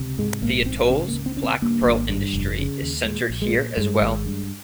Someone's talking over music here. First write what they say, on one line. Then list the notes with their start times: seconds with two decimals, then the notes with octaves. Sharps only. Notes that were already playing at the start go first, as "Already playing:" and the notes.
The atoll's black pearl industry is centered here as well.
Already playing: C#2 C3
0.18 G#2 G#3
0.42 A#1 A#3
0.66 G#2 C4
0.90 C#3 C4
1.08 A#3
1.13 C#2
1.26 C4
1.37 C#3 C#4
1.44 C4
1.62 G2 A#3
1.86 G#1
2.09 G2
2.33 F1
2.58 C#3
2.82 D#2
3.05 A#2 G#3
3.30 A#1
3.42 G#3
3.53 A#2
3.77 G2 G#3
4.01 G#1
4.26 G2